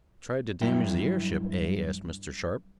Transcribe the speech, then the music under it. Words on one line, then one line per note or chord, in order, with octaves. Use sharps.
"Tried to damage the airship, eh?" asked Mr. Sharp.
G2 F#3 E4 E5 G5